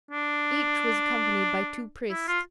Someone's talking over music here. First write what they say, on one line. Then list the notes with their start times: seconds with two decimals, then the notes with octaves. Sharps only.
Each was accompanied by two priests.
0.11 D4
2.11 E4
2.28 F4